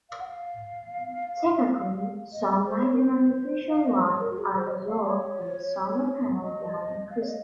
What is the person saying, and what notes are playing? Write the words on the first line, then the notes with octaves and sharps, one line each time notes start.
Typically, sunlight and artificial light are absorbed by a solar panel behind the crystal.
F5
F#5
F5
D#5
C5
C#5
A#4
C5
F5
D#5
C5
C#5
A#4
F#4
G#4
C5
D#5
C#5
F5
C#5
D#5
F5
C#5
D#5